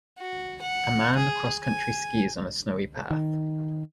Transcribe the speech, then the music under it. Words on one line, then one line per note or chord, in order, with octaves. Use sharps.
A man crosscountry skis on a snowy path.
F#4
F#5
G#4
G#5
D#3